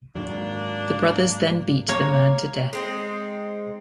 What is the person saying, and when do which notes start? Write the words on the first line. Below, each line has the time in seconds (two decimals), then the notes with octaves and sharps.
The brothers then beat the man to death.
0.15 G#2 D#3 F#3 A#3 D4
1.89 A#3 C#5
2.73 G#3 C4 D#4